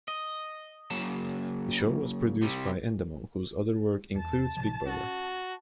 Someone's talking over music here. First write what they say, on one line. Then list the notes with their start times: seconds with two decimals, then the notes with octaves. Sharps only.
The show was produced by Endemol whose other work includes Big Brother.
0.08 D#5
0.90 C#3 F#3 A#3 A5
2.42 C3 G3
4.15 E2 A5
4.57 A1 C3 F3
4.86 C#4 F#4